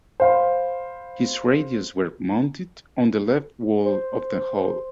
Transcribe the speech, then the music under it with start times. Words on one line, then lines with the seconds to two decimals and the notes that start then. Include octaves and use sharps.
His radios were mounted on the left wall of the hull.
0.20 C5 F5 B5
3.84 C5